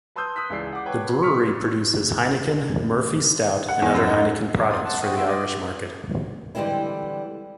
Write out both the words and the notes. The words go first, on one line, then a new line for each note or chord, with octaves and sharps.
The brewery produces Heineken, Murphy's stout and other Heineken products for the Irish market.
B4 A5 C6 D#6 E6 G6
D#6 E6 F#6 B6
C#2 E3 G#4 D5 C7
F#5 D6
B4 C#5 G5 A5
C#6 D6 E6 F6 B6 C#7
F#5
E2
F#2
D#4
G#3 A#3 C#4
F4 D5 D#6
F#5 A5
C4 F#4 D#6
B3 C4 E4 C5 E5 G5
D5 D#5
D3 E3 G3 G#3 C4 E4